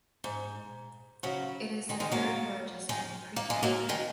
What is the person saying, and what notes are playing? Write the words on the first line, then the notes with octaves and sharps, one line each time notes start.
It is the third largest in the prefecture.
G#2
C#3 F#3
D#3 G#3
D#3 G#3
F#3 A#3
D#3 G#3
A#3
G#3
F#3 A#3
D#3 G#3